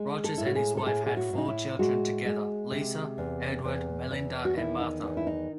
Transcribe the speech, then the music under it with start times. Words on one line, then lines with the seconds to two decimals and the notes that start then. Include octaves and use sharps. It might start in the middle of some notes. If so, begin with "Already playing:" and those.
Rogers and his wife had four children together: Lisa, Edward, Melinda and Martha.
Already playing: G#3
0.24 A4
0.38 A2 E4
0.46 F#4
0.55 G#4
0.77 A4
0.86 A2 G#4
1.06 G#4
1.17 F#4
1.33 A2 D#4
1.48 E4
1.79 G#3 F#4
2.26 G#3
2.72 C3
3.18 E2
3.65 E2
4.11 E2
4.45 F#4
4.57 D#3 E4
4.81 D#4
5.03 E2 D#4
5.17 E4
5.27 D#4